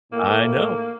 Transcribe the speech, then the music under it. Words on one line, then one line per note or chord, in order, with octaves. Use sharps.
I know.
A2 A#3